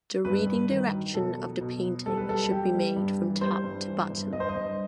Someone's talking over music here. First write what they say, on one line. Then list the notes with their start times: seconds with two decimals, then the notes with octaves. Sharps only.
The reading direction of the painting should be made from top to bottom.
0.25 G2 B4
0.47 G2
0.70 D#3
0.93 F#3
1.14 B2 A4
1.38 F#3
1.61 B2
1.84 F#3
2.06 G3 A4
2.17 B4
2.29 G3 A4
2.51 G3 G4
2.74 G3
2.96 G2
3.20 E3
3.41 G3 C5
3.64 G2
3.87 E3
4.10 G2
4.33 G2 D#5
4.40 C5
4.49 D#5
4.55 G2